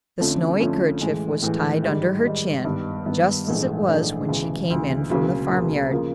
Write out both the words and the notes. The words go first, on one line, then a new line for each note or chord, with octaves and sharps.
The snowy kerchief was tied under her chin just as it was when she came in from the farm-yard.
F2 D3 F3 A3 C#4
F2 D3 F3 A3 C#4
A2 E3 G#3
A2 E3 G#3
G#2 D#3 G3
G#2 D#3 G3
G2 D#3 G3 B3
G2 D#3 G3 B3
A#1 G#2 E3 A3 D4
A#1 G#2 E3 A3 D4
E1 D2 C#3 E3
E1 D2 C#3 E3
E1 D2 C#3 F#3 A#3
E1 D2 C#3 F#3 A#3
C#3 F3 A#3